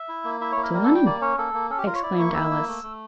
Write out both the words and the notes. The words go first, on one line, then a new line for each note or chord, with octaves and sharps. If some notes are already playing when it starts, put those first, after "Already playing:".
'To Lunnon!' exclaimed Alice.
Already playing: E5
E4
A#3
E4 E5
C#5
A#3
A#4
G3 A#4
A4
G3
G5
A#3 D5
C#4 C#5
A#3 A4
A#3
C#4 A4
G4
F4 A#4
C#5
E4 D5
A#3 C#6
E4 E6
A#3
A3
A3